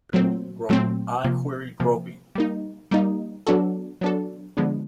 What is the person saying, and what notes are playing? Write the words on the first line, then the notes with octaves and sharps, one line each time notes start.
I queried, groping.
A#2 F#3 A3 C4
A#2 F#3 A3 C4
C3 F3 A#3
C3 F3 A#3
G3 A#3 D#4
G3 A#3 D#4
F#3 B3 D4 F#4 A4
F#3 B3 D4 F#4 A4
D3 F3 G#3 B3 D4